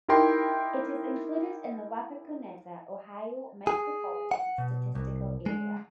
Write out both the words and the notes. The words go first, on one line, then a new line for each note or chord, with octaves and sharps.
It is included in the Wapakoneta, Ohio Micropolitan Statistical Area.
D#4 E4 G4 A#4 G5 C6
G#4
F#5
B2
C2
G#3